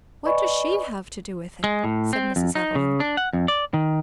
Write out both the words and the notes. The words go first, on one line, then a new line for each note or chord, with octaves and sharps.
"What does she have to do with it?" said Mrs. Evelyn.
B4 D5 D#5 G#5 B5 C#6
G#3
A2
C4
F2
D#4
C#3
D4
F#5
F2
D5
D#3